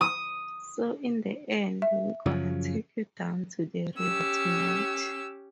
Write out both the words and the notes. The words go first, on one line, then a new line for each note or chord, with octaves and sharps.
So in the end, we're gonna take you down to "The River" tonight.
D#6
E5
F#2 C#3 F3
C#4 G4 E6